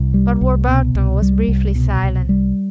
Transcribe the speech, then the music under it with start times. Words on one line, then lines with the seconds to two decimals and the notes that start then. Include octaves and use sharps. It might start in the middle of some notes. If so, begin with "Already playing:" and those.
Lord Warburton was briefly silent.
Already playing: C2
0.14 G3
0.41 C2
0.68 B2
0.95 C2
1.22 G3
1.48 C2
1.75 B2
2.03 C2
2.29 G3